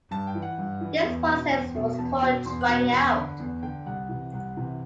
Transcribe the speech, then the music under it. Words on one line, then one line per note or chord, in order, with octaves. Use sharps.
This process was called "trying out".
G2 A5
G5
E3
F#5
G2
E3
E2
B2
E2 G5
B2
E2 A5
B2
E2 C6
F#6
B2
E2
D3 B5
E2
D3 G5
C2 F#5
C3 E3
C2 F#5
C3 E3